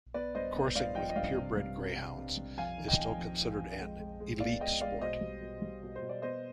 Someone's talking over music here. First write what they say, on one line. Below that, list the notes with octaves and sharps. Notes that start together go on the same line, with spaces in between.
Coursing with purebred Greyhounds is still considered an "elite" sport.
B3 B4 D5
G2 C5 D#5
B3
G2 D5 F5
F3 D#5 G5
D#5
G2 D5 F5
C3
G3
C3
C3
C3
G3
F2 F5 G#5
D#3
D#5 G5
F2
F2
F2
F2
G#3
G#3
G#3
B3 D5 F5
G#3 D#5 G5
G#3 D5 F5
B2 C5 D#5
G3
B2
G3
B2
C5
B2
D5
B3 C5 D#5